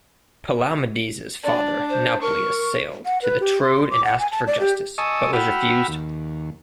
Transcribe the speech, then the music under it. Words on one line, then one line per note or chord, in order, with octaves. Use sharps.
Palamedes' father Nauplius sailed to the Troad and asked for justice, but was refused.
D4 D5
C5
A#4 C#6
F#5
B4
G4
C6
D6
F#5
G#5
A5
D5
G4
D#5 G#5 A5 C#6 D#6 E6
F#4 F#5 G5 B5 E6 F6
D#2